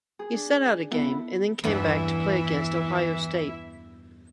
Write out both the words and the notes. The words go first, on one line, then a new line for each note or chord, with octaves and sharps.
He sat out a game and then came back to play against Ohio State.
G#4
D4
B3 E4 A4
E2 G2 E3 B3 E4 E5